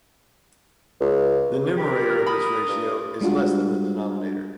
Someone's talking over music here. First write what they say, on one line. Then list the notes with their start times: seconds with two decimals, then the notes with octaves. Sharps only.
The numerator of this ratio is less than the denominator.
1.01 C#2
1.78 G4 A#4 B5
2.26 B5 D#6
2.69 G2
3.21 G3 G#3 D4 F4 F#4